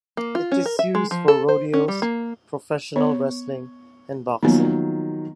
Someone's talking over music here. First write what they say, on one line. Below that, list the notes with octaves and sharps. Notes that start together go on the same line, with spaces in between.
It is used for rodeos, professional wrestling and boxing.
A#3
F4
C#4
A#4
E5
G#3
F3
A4
C5
C#4
G3
A#3
B3 C#5
D#3 F3 F#3 A#3 B3